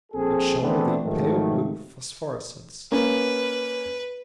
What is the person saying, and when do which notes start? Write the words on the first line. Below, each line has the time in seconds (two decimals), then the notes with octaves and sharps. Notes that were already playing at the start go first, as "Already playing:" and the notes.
It shone with a pale blue phosphorescence.
0.12 A#1 C4 G#4 A4
0.61 E3 A3 B3 C4 D4
1.03 G#2 D#3 F3 F#3 A3
2.92 A#3 C#4 B4